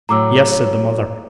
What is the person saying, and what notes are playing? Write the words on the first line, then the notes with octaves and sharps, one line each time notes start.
"Yes," said the mother.
A2 F#3 A#5 D6 E6